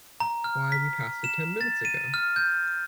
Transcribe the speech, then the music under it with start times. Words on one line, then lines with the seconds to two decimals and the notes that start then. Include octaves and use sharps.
Why, we passed it ten minutes ago!
0.20 A#5
0.44 F6
0.72 B6
1.24 E7
1.61 A6
1.85 D#7
2.14 F6
2.36 G6